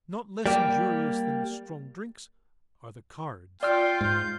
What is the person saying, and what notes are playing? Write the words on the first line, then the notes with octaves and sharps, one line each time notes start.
Not less injurious than the strong drinks are the cards.
G3 A#3 G4
F4 D5 G5 E6 F6
G#2 G6